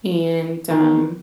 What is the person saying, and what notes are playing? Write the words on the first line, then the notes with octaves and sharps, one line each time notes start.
and, um
D#3